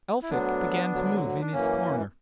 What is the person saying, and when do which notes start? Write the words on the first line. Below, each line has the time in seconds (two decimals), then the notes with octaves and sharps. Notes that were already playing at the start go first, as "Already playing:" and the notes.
Elphick began to move in his corner.
0.23 E4
0.30 D2 D3 F#3 B3 D4
0.92 D2 D3 F#3
1.41 D4
1.53 F#2 E3 A#3 C#4